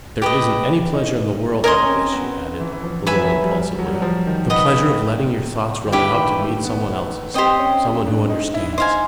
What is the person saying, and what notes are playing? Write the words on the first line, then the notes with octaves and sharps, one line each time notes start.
There isn't any pleasure in the world like this," she added, a little impulsively, "the pleasure of letting your thoughts run out to meet some one else's, some one who understands.
G4 B4 D#5
D#4
C#4 A#4 D#5 G#5 C6
C#4
C4
B3
E3
E3
F3
F#3 B4 E5 G#5 B5
F3
F#3
G3
F#3
G3
F#3
F3
D#3
B4 D#5 F#5
D#3
D3 E4 G4 B4
D#3
A3
B3
C4 G4 C5 D#5 G5
C#4
D4
D#4
E4
E4
D#4 C5 F5 G#5